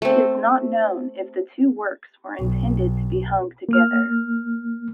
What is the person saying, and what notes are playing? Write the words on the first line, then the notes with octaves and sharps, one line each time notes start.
It is not known if the two works were intended to be hung together.
A3 C4
B1
A#3 F6